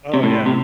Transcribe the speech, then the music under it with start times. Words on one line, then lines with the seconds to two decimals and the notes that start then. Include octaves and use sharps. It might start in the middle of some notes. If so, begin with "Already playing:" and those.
Oh, yeah.
0.14 C3
0.23 A2
0.46 C3